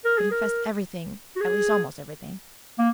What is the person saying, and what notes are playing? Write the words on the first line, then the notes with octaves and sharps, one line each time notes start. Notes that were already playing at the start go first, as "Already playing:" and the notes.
I confessed everything--at least, almost everything.
A#4
G#4
A#4
F#4
G#4
A#3